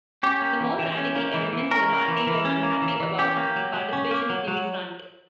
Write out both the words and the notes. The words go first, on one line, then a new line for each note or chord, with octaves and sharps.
The more radical elements in the party were unhappy about participation in the Front.
C#4 G4
A#3
E3
E3
C#4
A#3
E3
E3
C#4 A#4
A#3
E3
E3
C#4
A#3
E3
E3
C#4 G4
A#3
F#3
F#3
C#4
A#3
F#3
F#3